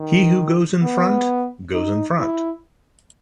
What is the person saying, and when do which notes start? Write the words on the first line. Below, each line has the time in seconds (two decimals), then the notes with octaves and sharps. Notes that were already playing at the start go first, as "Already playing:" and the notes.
He who goes in front, goes in front.
Already playing: D#3
0.83 B3
1.74 D#4
2.19 E4